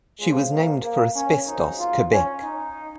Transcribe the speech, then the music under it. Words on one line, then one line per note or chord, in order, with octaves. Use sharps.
She was named for Asbestos, Quebec.
C#2 C#3 F3 G#3
A#3
A#3
C#4
G#1 F#2 F3 D#4
F4
C#4
D#4